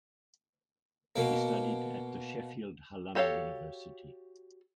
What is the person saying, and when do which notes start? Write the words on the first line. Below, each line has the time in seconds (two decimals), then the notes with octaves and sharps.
She studied at the Sheffield Hallam University.
1.16 B2 A#3
3.15 F#4 G4 A4 C#5 F5